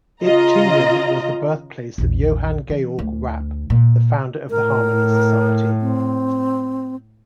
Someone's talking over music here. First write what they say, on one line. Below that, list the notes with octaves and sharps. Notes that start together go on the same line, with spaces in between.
Iptingen was the birthplace of Johann Georg Rapp, the founder of the Harmony Society.
C#3 F4 D#5 A#5
A#1 E2
E3
D2
A#2
A2 A#4
C4